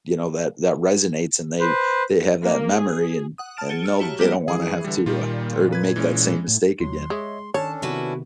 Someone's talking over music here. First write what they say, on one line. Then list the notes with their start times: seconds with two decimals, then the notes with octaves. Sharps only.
you know, that that resonates and they they have that memory and and know they don't wanna have to, uh, or to make that same mistake again.
1.60 B4 C5
2.43 A#3
2.75 G#4
3.38 F#5 D#6
3.57 A5 F6 A6 D7 E7
3.69 G#4 A6 C#7 D7 G7
3.84 E6 F6
4.00 E4 F#4 G4 C#5 A5 A#5
4.19 G3 A#3 B3 E4 G4 D#5
4.48 E3 G#4
4.84 D3 G3
5.06 A#2 D#3 G3 F4
5.73 B4 G#6
5.96 E3 G#3 C#4
6.48 A2
6.80 D#2 F#3 C6
7.10 G#3 C#5 D#5 E5
7.54 D#3 C#4 D4 A4 C#5 A5
7.82 C3 D#3 B3 E4 F#4 B4